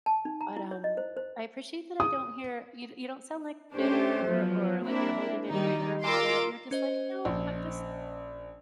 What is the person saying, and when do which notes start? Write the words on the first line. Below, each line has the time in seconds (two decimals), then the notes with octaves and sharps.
but, um, I appreciate that I don't hear you d you don't sound, like, bitter or, like, you're holding any anger about it. You're just, like, "No, I'm just
0.06 A5
0.25 D#4
0.41 A#5
0.56 E4
0.71 C#5
0.84 D#5
0.97 C5
1.17 C5
2.00 D#6
3.74 C#4 D4 G4 C5
4.25 F3 F#3 B3
4.84 A#3 C4 D4 E4 A#4
5.49 D#3 G3 D#4
6.04 F4 A#4 A#5 C6 D6 E6
6.71 C#4 C5 D#5
7.25 A#1